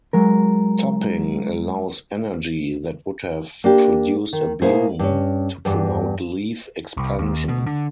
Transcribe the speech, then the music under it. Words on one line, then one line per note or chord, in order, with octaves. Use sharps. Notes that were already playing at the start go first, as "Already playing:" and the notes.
Topping allows energy that would have produced a bloom to promote leaf expansion.
F#3 G#3 A#4
A#3 D4 G4
D#3
B2 A#3 E4 G#4 C5
G2 C#4
E2 G2
C2
D#2
B2
D3